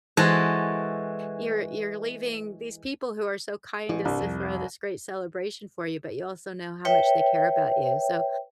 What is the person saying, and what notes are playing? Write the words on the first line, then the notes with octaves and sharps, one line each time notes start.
you're you're leaving these people who are so kind as to throw this great celebration for you, but you also know how much they care about you. So,
E3 G#3 F#4 A4 C5
A1 E3
C2 G2
F2
B4 C#5 E5 G5